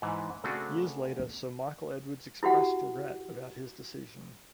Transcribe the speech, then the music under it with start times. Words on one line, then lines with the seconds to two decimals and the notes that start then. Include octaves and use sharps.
Years later, Sir Michael Edwardes expressed regret about his decision.
0.02 G#2 E3
0.44 C#3 A3 C4 D4 F#4 G#4
2.43 E4 F#4 G4 F#5